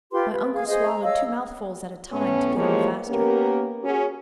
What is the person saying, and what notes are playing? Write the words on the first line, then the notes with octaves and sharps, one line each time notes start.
My uncle swallowed two mouthfuls at a time to get on faster.
F4 G4 B4 C6
B4
G#4 F5
G#4 C5 D#5
A#5
C#5 D#5 F5 E6
A2 B3 C#4
E3 F3 G#3 A#3 G4 C#5
A#3 B3 C#4 G4 A#4
C#4 F#4 G#4